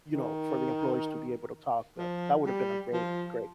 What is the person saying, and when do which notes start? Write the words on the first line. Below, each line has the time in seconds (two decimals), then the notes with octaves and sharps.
you know, for the employees to be able to talk, but that would have been a great, great
0.09 D#3
1.98 F3
2.46 G3
2.93 F3